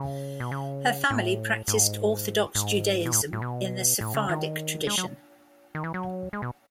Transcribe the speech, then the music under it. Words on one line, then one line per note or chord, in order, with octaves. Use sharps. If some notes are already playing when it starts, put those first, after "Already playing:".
Her family practiced Orthodox Judaism in the Sephardic tradition.
Already playing: C#3
B2
C#3
A2
G#2
G#2
B2
A2
A2
B2
A2
C#3
D#3
G#3
F#3
D#3
E3
F#3
G#3
B2